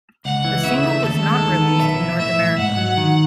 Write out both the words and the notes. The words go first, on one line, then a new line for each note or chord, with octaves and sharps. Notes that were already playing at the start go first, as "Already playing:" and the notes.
The single was not released in North America.
C#2 F#5
E3
C#3 E5
A3
D#2 A4
G#3
D#3
B3
B1 E5
E3
A2 E5
B1
G#2 F#5
F#3
D#3